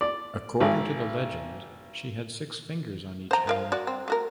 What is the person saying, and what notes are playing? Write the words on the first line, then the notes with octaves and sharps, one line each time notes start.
According to the legend she had six fingers on each hand.
D5
G#1
C5 A#5
F3 A#4 F5
F#4 D5
C4
A3 F#4 A#4